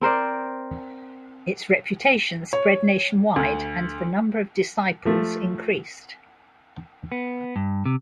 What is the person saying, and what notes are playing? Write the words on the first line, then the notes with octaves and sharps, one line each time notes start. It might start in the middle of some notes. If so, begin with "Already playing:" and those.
Its reputation spread nationwide and the number of disciples increased.
C4 A#4 C5 D5
C#5
D2
F3 A3
B3
G2
C3